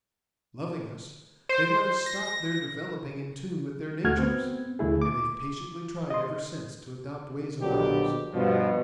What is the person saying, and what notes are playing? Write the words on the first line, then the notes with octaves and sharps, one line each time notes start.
Loving us, they let us stop their developing in tune with their natures; and they've patiently tried ever since to adopt ways of ours.
C5
A#6
D2 A3 F#4 F6 G#6
B3 C4
D2 A3 E4 G#4
D6
D#5 C6
A#1 B2 D3 F#3 D4 G4
G2 B2 F3